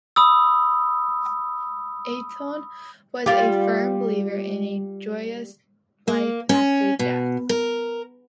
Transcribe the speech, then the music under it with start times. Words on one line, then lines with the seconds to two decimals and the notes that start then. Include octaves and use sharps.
Eaton was a firm believer in a joyous life after death.
0.16 B5 D#6 E6
3.26 G3 F4 G4
6.08 A#3
6.49 C#4
6.99 B2
7.49 A#4